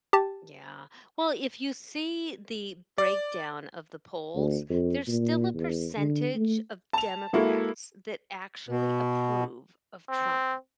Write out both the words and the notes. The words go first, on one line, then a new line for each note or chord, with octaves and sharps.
Yeah. Well, if you see the breakdown of the polls, there's still a percentage of Democrats that actually approve of Trump,
G4 A5
D5
D2
F2
A#2
E2
D3
A3
A5 F7
G#3 A#3 E4 F#4 A4
B2
C4